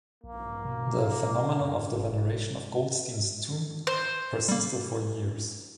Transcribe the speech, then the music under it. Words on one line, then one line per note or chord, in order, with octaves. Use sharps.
The phenomenon of the veneration of Goldstein's tomb persisted for years.
A#1 A#3
B2
F#2
F1
C5
G3 A#3